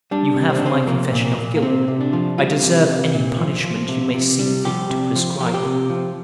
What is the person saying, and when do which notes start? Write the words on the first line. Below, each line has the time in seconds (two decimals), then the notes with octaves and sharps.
You have my confession of guilt, I deserve any punishment you may see fit to prescribe.
0.11 G3 D4
0.36 C3
0.50 C4
0.57 D4
0.61 C3 C4
0.87 F3 A#3
1.12 A#2
1.25 A#3
1.38 A#2
1.57 A#3
1.62 C3 C4
1.88 C3
2.01 D4
2.13 F3
2.38 G3 F4
2.63 C3
2.89 C3
3.14 A#2
3.39 F3
3.64 F3
3.89 C3
4.14 C3
4.39 G3
4.65 F3 G4
4.90 C3
5.16 F3
5.40 F3 G4
5.47 A#4
5.54 G4
5.65 C3
5.90 F3